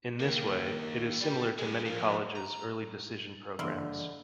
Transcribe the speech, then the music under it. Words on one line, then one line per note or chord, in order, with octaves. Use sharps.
In this way, it is similar to many colleges' early decision programs.
D#3 A#3
G3 G4
G2 G#3
F3 A#3
A#5
F#1 G2 D3 E3 D4 E4 F4 E6